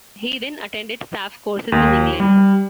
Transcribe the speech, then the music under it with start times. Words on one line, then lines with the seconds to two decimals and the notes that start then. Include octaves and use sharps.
He then attended staff courses in England.
1.72 D#2
2.20 G3